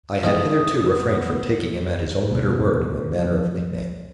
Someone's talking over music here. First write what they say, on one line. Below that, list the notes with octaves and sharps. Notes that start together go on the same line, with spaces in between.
I had hitherto refrained from taking him at his own bitter word in the matter of nick-name.
A2 F3 G#3 C4 D#6
B3
A1 D2 G2 B2
F3